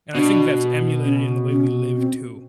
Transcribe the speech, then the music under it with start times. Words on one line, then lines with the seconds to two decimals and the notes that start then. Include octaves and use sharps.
And I think that's emulated in the way we live, too.
0.15 B2 D4
1.05 C#4
1.51 C#4
1.96 C4